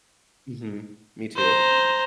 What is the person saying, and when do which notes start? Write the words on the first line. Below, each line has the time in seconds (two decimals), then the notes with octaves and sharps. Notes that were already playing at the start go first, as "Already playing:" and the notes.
Mhm. Me too.
1.37 C5 A#5